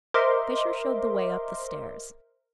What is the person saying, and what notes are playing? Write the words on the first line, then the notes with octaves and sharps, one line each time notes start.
Fisher showed the way up the stairs.
A#4 C5 D#5 E5 C6 D6